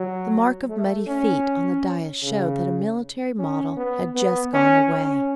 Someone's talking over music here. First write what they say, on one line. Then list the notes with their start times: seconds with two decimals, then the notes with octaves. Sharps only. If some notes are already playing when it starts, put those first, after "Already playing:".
The mark of muddy feet on the dais showed that a military model had just gone away.
Already playing: F#3
0.70 A3
1.08 C#4
2.23 C#3
3.39 C#4
3.77 B3
4.15 B3
4.54 C#4
4.92 C#4